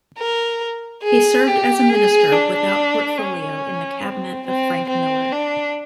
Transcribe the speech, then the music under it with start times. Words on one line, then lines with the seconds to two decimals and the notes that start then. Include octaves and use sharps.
He served as a minister without portfolio in the cabinet of Frank Miller.
0.19 A#4
1.04 G#4
1.47 G4
1.89 G#4
2.32 D4
3.17 C#4
4.04 C4
4.46 C4
4.88 C4
5.32 D4